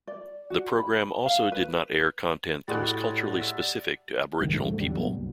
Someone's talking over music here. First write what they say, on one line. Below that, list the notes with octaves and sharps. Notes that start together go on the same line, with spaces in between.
The program also did not air content that was culturally specific to aboriginal people.
D5
F#4
B5
F5
B4
A2 G3 G#3 F#4 D5
E5 A5
C2 G2 D#3
C#2 G#2 F3 A3
D2 G#2 A3
E2 D3 G3
C2 A#2 F#3 B3
C2 G2